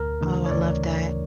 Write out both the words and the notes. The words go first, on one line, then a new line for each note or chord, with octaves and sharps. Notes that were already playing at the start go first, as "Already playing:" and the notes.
Oh, I love that,
Already playing: D2 A#4
C#3 E3 A3 D4
C#5
D2 D5